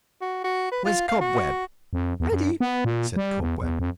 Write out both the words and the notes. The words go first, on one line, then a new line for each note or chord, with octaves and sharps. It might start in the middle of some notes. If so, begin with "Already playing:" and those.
"Where's Cobweb?" "Ready," said Cobweb.
F#4
F#4
B4
F4
F5
F#4
F2
E2
F#2
B3
A#2
G3
E2
E2
F2